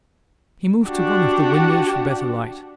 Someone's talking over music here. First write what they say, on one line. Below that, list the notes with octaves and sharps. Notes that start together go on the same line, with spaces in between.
He moved to one of the windows for better light.
D4 F#4 G4